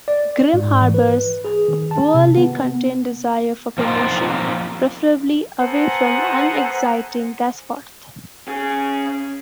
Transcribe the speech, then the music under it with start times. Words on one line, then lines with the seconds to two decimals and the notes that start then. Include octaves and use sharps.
Grim harbours a poorly-contained desire for promotion, preferably away from unexciting Gasforth.
0.08 D5
0.53 G#2
0.81 E3
0.94 B4
1.45 G#4
1.68 D#3
1.91 A5
2.14 C3
2.37 B3
3.78 F3 A#3 C4 D#4 F4 G4
5.59 B3 A4 C5 F#5 G#5 A#5
8.48 C#4 G#4